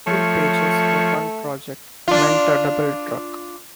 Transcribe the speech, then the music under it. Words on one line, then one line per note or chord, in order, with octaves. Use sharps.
Two pages for one project meant a double truck.
F3 A3 C#5
D4 F4